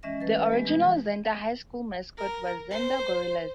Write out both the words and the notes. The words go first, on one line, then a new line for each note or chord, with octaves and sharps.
The original Zenda High School mascot was Zenda Gorillas.
E3 G#3 C#4 D#5 E5 A#6
A3 B4 A6
G#3 B3 G4
B2 E3 G3
A#4
C5